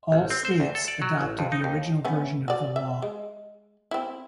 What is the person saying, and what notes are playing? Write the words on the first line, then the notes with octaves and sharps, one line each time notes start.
All states adopted the original version of the law.
A1
C4
C5
D2
A4
D5
F#3
A1
F2
D#4
D#2
A3 B3 C#4
F#4 D5
E5
G#3
C4 E4